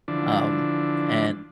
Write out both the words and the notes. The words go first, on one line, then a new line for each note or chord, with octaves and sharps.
Um, and
D3 E3 F3 D4